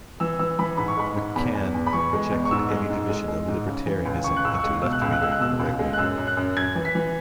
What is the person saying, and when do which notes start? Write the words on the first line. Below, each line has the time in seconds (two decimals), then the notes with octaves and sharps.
Machan rejected any division of libertarianism into "left wing" and "right wing".
0.20 E3 E6
0.39 E3 E6
0.59 E3 B5
0.77 G#2 B5
0.88 C#6
0.97 G#3 B5
1.16 G#2
1.35 E2 B5
1.55 E2
1.74 E2
1.87 B5
1.93 E3 C#6
2.13 G#3
2.32 E2
2.45 C#6
2.51 G#2 E6
2.70 G#3
2.90 G#2
3.09 G#3
3.28 G#3
3.48 G#2
3.67 C#3
3.86 E3
4.05 C#2
4.24 C#3 C#6
4.36 F#6
4.44 C#2 E6
4.54 C#6
4.63 G#3
4.82 B2 E6
4.92 F#6
5.01 C#2 E6
5.12 F#6
5.21 G#3 E6
5.32 F#6
5.40 B2 E6
5.59 C#2
5.79 G#3
5.93 F#6
5.98 F#2 E6
6.18 F#2
6.27 F#6
6.37 F#2
6.57 F#2 G#6
6.75 E3
6.85 B6
6.95 E3